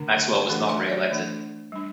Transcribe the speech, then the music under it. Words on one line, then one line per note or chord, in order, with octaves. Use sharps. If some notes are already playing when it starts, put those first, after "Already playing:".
Maxwell was not re-elected.
Already playing: D3 A3 D4
E3 A3 D4 A4
E5
D5
E3 A3 D4
G3 D4